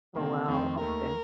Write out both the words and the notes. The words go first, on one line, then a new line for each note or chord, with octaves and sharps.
Oh, wow, okay.
C3 D#3 A#3 C4
F2 D#3 A3 C4
D#2 D#3 A3 A#4